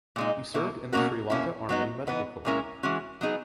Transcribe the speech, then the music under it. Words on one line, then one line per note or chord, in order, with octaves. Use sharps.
He served in the Sri Lanka Army Medical Corps.
A#2 G#3 D#4
B2 A#3 E4
B2 A#3 C#4 F#4 A#4
B2 A#3 C#4 E4
F#3 B3 D#4
E3 B3 D#4
A#2 G#3 C#4 E4 A#4
E3 G#3 C#4 F#4
F#3 B3 D#4 G#4